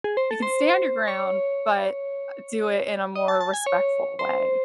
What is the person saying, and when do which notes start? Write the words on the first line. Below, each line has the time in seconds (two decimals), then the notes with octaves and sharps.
you can stand your ground, but, uh do it in a more respectful way.
0.04 G#4
0.17 C5
0.31 A4
0.42 C5
1.08 C#5
3.15 D#5
3.28 A5
3.41 A5
3.54 G#5
3.66 C#5
4.19 C5